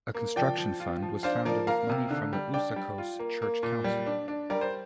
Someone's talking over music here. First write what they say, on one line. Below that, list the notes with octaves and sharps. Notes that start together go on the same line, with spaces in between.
A construction fund was founded with money from the Usakos church council.
A#3
F3 D5 G5
F3
F4
F3
D4 C5 F5
F3 A#4 D5
A#3 F5 A#5
C3
D3
G3
D4 D5 G5
G3
F4
A#3
A#3
A#2
G3
D4
D4
G3 A#4 D5
C5